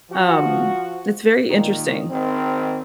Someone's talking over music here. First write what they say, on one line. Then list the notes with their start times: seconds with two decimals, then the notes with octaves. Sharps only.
Um, it's very interesting.
0.11 F3 F#4
1.47 A#2 D#3
2.11 G#1 D#3 C4